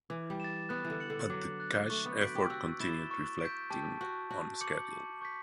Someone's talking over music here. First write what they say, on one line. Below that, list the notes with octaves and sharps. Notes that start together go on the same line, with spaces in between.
But the cash effort continued reflecting on schedule.
E3 D6
G3
A6 E7
B3 F#6
E3
D3
C#7 F#7
D3
F#3 D6
F#6 A6
A3 C#6
B3
F#4 G6 B6 D7 F#7
G4
F#4 E6
E4 A6 E7 G7
C#6
G6 B6 D7
G4 A5
F#4 C#6 G6 D7
F#4 A5
D6 G6 C#7 F#7
A5
C#6 G6 B6